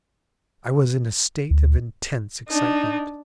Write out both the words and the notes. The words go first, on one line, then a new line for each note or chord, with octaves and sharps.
I was in a state of intense excitement.
D2
D4 D#4